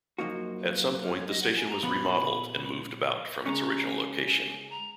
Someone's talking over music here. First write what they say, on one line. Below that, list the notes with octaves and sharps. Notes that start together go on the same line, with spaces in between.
At some point, the station was remodeled and moved about from its original location.
F#2 F3 A#3 D#4 F#4
B4
A#4
C#5
D#5
F#5
G#5
A#5
A#2 F3 B3 B5
C#3 G#3 C#4 A#5
G#5
A#5